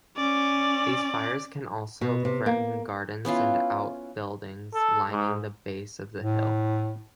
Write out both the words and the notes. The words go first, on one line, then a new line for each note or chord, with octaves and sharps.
These fires can also threaten gardens and outbuildings lining the base of the hill.
C#4 D5
B2
C3
A#3
B3 C#4 E4 F4
A4
G#2
A2